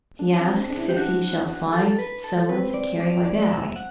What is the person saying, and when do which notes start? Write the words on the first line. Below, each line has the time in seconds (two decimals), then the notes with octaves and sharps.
He asks if he shall find some one to carry my bag.
0.19 D4
0.39 C4
0.58 D4
0.70 D4
0.78 E4
0.89 G4
0.97 D4 F#4
1.73 A4
1.99 B4
2.24 A4
2.49 C4 B4
2.74 D5
3.00 D5
3.25 D5
3.50 E5
3.76 F#5